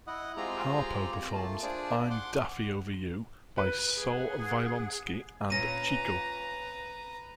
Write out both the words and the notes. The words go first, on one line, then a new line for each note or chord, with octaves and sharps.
Harpo performs "I'm Daffy over You" by Sol Violinsky and Chico.
E4 D#5 F#5
G#3 C4 F4 G4 G#4 A#5
A3 A#3 F4 A5
D4 F4 G#4 C5 D5
F#5 C6 D6
B4
G#4 F#5
A#2 C#4 F4 B4 A#5 A#6 D#7